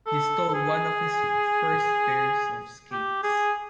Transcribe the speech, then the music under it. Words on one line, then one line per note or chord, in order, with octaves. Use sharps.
He stole one of his first pairs of skates.
A4
A4
G#4
G4
G#4